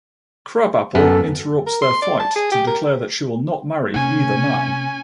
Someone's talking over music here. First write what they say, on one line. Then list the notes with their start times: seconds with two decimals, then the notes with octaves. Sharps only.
Krabappel interrupts their fight to declare that she will not marry either man.
0.95 F#2 B3 A4
1.67 A#4
1.82 C6
2.02 D5
2.20 A5
2.36 G#4
2.52 G4
2.67 A#4
3.94 C3 A#3 C#4 G#5